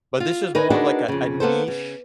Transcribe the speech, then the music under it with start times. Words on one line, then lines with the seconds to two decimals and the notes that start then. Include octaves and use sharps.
but this was more of, like, a a niche
0.20 F4
0.55 D#4 A#4 B4 C#5 G#5
0.70 D4 D#4 F#4 G#4 A#4 B4
1.08 F2 C#3
1.40 A#3 B3 A4 C5
1.68 C#3